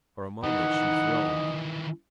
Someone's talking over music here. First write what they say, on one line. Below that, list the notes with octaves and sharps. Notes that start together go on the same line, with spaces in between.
For a moment she thrilled.
D#3 E3 D#4 D#5 F#5